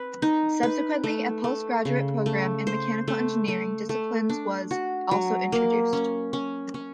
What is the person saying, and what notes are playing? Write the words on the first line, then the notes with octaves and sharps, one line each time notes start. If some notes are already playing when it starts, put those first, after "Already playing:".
Subsequently a post-graduate program in mechanical engineering disciplines was also introduced.
Already playing: C4 B4
D#4
B4
A3
A3
C#3
A3
C5
A3
A3
A3
D4
F#4
F#3
A#3
C#4
C#4
C#4